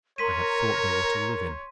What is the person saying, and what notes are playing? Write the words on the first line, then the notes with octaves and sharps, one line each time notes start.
I had thought they were to live in.
A#4 C#5 C6 B6 D#7